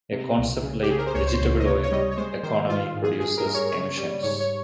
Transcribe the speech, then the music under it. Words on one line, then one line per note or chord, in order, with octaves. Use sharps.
A concept like vegetable oil economy produces emissions.
C3
C2
C#3
G4
C#3 G#4
A#4
C5
C#2 C#5
C5
C#2 C5
D#5
C3 C#5
C#5
G3 D#5
C#5
G#3 C5
D#3 C5
G#2 F4
G#2
G#4
G2 G#4
A#4
G2
C#5
C#3 C#5
G3
G#2 C#5
C#5